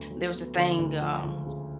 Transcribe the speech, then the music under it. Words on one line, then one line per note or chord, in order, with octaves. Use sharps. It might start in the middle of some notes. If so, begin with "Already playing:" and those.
there was a thing, um,
Already playing: D2 D3 F#3 B3
F#3
B3
D3
D2
F3
C#2
C#3